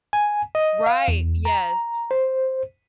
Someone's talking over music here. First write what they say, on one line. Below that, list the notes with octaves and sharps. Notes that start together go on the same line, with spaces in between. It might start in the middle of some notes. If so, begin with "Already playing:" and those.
Right. Yes.
G#5
D#5
F5
E2
A#5
C5